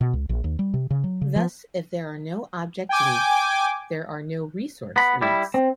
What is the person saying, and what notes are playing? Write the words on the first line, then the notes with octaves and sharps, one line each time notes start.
Thus if there are no object leaks, there are no resource leaks.
B2
C#2
A#1
D#2
G3
C3
C#3
F#3
C#3
F3
G5 G#5 D6
B3 B5
G3 E4
C4